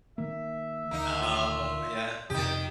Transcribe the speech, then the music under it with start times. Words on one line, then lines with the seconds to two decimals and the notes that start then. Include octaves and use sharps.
Oh, yeah. Yeah.
0.18 D#3 A#3 E5
0.91 D2 D#3 A#3 D#4
1.22 F4
2.30 F2 C3 D#3 G4 D#6